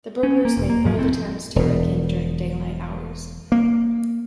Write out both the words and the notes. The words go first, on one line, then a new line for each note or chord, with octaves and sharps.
The burglars made bold attempts to break in during daylight hours.
C#4
A#3
E1
A#3
G#2 F3 F#3
F1 A2 C4
E1 B2
A#3